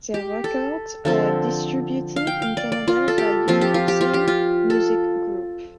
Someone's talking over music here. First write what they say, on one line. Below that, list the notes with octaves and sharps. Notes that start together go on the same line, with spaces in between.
Their records are distributed in Canada by Universal Music Group.
G4
A4
D3 F3 C4 A4
F5
G5
F5
D5
D5
F4
A4
G4
F3 C4 F4
G4
F4
G4
F4
G4
F4
A4